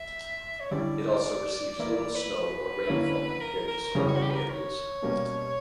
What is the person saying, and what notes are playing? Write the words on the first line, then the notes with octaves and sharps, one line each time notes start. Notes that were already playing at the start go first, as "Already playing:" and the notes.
It also receives little snow or rainfall compared to surrounding areas.
Already playing: E5
C#5
D3 G3 C#4 E4 D5
E3 A#3 E4 D5
D5
B4
D3 A#3 C#4 E4
A#4
A#4
C#3 E3 G3 C#4
C#5
F#4
G4
B4
A#4
C#5
B2 G3 A#3 C#4